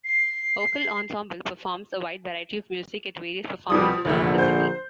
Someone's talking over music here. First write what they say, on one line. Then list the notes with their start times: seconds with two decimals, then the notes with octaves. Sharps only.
Vocal Ensemble performs a wide variety of music at various performances around the city.
0.05 C7
3.70 C2 B2 F3 G3 D#6
4.05 F1 A#1 E2 D3 E5
4.38 C5 G6